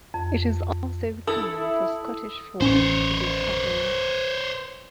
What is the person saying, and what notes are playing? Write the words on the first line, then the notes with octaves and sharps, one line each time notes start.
It is also common for Scottish Folds to be stubborn.
F2
E4 A4 D#6 E6 F#7
A1 C#4 C5 C#5